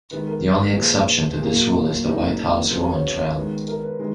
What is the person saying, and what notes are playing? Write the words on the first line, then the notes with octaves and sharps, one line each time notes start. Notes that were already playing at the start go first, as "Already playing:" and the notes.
The only exception to this rule is the White House Ruin Trail.
D#3 G#3 B3 B4
A#4
A#2 F3 B3 G#4
A#2 F#3 A#3 G#4
F#4
F4
C#3 F#3 A#3 D#4
C#3 F3 B3 F4
F#4
C#5
B4
D#3 G#3 B3
A#4
B4
D#3 G#3